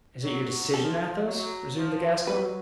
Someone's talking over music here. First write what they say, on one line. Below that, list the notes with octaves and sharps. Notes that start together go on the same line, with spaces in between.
"Is it your decision, Athos?" resumed the Gascon.
F#3
F3 A4
F#3
F3
F#3 B4